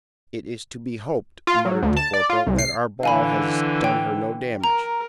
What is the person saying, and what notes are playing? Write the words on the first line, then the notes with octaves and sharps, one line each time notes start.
"It is to be hoped," muttered the corporal, "that our ball has done her no damage."
F4
F#3
D2
A5
D5
F4
C2
C7
D3 E3 F5 G#5 B5
G5
A#4 A#5